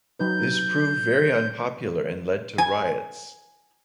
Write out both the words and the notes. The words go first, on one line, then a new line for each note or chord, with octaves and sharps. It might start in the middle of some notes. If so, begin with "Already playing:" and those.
This proved very unpopular, and led to riots.
F#3 D#4 B4 G6
G#5